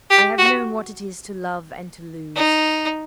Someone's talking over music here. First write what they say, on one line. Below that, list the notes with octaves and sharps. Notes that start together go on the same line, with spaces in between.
I have known what it is to love and to lose.
G4
F#4
D#4